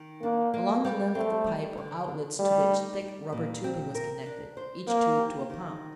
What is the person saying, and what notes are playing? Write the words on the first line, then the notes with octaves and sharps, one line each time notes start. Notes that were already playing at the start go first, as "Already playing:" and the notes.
Along the length of the pipe were outlets to which thick rubber tubing was connected, each tube to a pump.
Already playing: D#3
A#3 D4
A#3
G3
A3 C4
G3
D3
D4
G3 A3
D#4
G3
A#2
C4
A#4
D4
C5
A#3 C4
G4
D#3